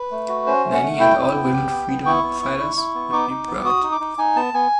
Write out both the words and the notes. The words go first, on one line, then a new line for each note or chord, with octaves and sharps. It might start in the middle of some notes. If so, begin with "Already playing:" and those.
Nanny and all women freedom fighters would be proud.
Already playing: B4
A3
F#4
C#4 C5
A3
F#5
A3
E4 G5
E4
B3
G4
B3
B3
E4 C#6
B3
E4
E4
E4
B3
D#4 D6
D#4
B3
F#4 D#6
D#4
D6
D#4
D#4 G#5
B3 A5
B3 G#5